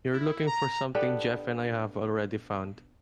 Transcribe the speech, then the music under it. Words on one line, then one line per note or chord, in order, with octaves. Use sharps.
You're looking for something Jeff and I have already found.
E4
A#5
B3 D4 G4 A4